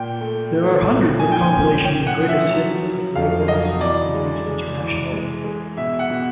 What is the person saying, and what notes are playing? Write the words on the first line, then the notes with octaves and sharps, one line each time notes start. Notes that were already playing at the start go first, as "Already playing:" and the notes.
There are hundreds of compilations and greatest hits of Roy Orbison released internationally.
Already playing: A#2 G5
A3
A3
A#2
F3 G#5
G5
G#5
C#4
C#4 G5
F#5
F3
E5
F#3
F#3
F2 F5
F#3 D#5
E3 D5
G#3
G#3
E3
G#3
G#3
B2 E5
F#5
B2